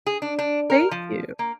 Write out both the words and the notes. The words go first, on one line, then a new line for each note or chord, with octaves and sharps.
Thank you.
G#4
D4
D4
A#4
F3
A#3